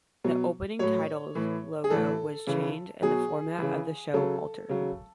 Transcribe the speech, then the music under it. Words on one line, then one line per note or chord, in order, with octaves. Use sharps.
The opening titles logo was changed and the format of the show altered.
B2 F#3
A2 F#3 C#5
A2 E3
G#4
A2 E3 A4
C#3 E3
B2 F#3 G#4
C#3 E3
C#3 F#3 A4
C#3 F#3